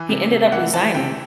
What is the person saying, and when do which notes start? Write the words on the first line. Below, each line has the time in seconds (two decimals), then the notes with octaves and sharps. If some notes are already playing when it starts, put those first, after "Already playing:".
he ended up resigning.
Already playing: E3
0.09 C3
0.31 C3
0.52 E3 F#5
0.73 E3 A5
0.95 C3 G5